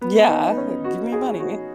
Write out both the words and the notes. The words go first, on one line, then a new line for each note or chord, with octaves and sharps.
Yeah. Give me money.
B3
D#4
B3
C#4
F#4
G#4
F#4